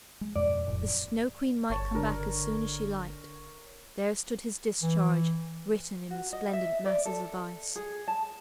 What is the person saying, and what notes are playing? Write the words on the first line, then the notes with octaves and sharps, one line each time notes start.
The Snow Queen might come back as soon as she liked; there stood his discharge written in resplendent masses of ice.
G#3
F2 G#2 B2 D5
E1 F2 A2
G1 C#5 A5
D3 A#4
E3
F#4
D#5
E5
D5
A4
G#4
A5